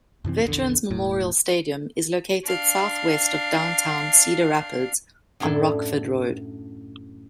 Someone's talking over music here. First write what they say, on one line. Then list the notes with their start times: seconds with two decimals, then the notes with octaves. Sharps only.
Veterans Memorial Stadium is located southwest of downtown Cedar Rapids on Rockford Road.
0.25 F#2 C3 E3 C4
0.44 A#1 E2 D3
0.90 E1 A2
2.44 D4 F5
5.40 F#2 A2 D4 E4 A4